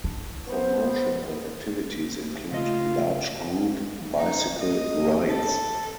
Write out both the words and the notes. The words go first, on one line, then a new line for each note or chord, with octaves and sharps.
Promotional activities include large group bicycle rides.
D4 E4
B3 C5
C#3 A3 F4 D#5
D#4
D#5
A4